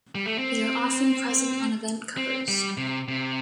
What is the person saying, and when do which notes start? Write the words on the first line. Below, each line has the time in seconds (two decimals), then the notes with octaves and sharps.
They are often present on event covers.
0.15 G3
0.26 A3
0.38 C4
2.17 C4
2.48 G3
2.77 C3
3.08 C3